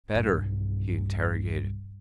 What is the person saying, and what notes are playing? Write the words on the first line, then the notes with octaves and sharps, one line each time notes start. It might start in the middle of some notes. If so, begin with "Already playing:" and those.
"Better?" he interrogated.
B1 G2